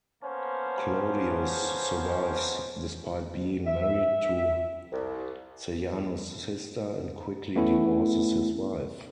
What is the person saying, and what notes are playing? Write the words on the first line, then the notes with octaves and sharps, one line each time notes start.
Claudius survives despite being married to Sejanus' sister, and quickly divorces his wife.
A#3 B3 C#4 A4 C5
E5
C2
A3 B3 C#4 E4